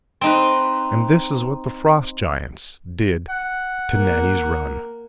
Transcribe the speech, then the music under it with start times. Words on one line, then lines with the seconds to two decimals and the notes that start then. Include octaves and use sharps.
And this is what the Frost Giants did to Nannie's Run.
0.21 C4 D#4 B4
3.29 F#5
3.93 A#3